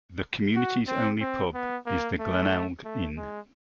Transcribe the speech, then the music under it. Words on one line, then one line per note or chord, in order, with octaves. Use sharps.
The community's only pub is the Glenelg Inn.
F#4
C4
C4
B3
A#3
A3
A3
G#3